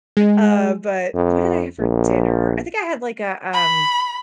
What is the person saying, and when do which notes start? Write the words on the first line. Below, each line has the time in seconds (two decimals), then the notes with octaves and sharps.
Uh, but what did I have for dinner? I think I had, like, a, um
0.17 G#3
1.15 F2
1.79 A#1
3.53 B5